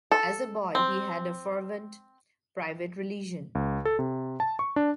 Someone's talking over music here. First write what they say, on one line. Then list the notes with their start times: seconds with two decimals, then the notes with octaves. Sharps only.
As a boy he had a fervent private religion.
0.12 A4
0.75 C4
3.55 C#2
3.85 A4
3.99 C3
4.40 A5
4.59 C#6
4.76 D4